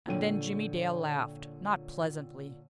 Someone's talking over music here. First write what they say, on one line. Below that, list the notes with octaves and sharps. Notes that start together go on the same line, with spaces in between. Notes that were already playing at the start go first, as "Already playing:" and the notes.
And then Jimmie Dale laughed--not pleasantly.
A#2 D3 C#5 G5 D#7